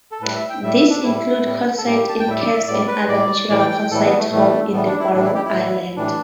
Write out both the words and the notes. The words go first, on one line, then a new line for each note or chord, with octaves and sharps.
These include concerts in caves and other natural "concert halls" in the Faroe Islands.
A4
A2 G3 B4
E5
G5
A2 G3 E5
E5
D4
A2 G3 E4
A2 G3
A4
A2 G3 G4
A5
G5
A2 G3 E5
D5
E5
A2 G3 D5
B4
A2 G3 D5
A2 E3 G3 D5
G5
G5
G5
A2 E3 G3 A4
B3
A3
A2 E3 G3 A3
A2 E3 G3 B3
D4
E4
A2 E3 G3 D4
E4
G4
E4
A2 E3 G3
A2 E3 G3 D4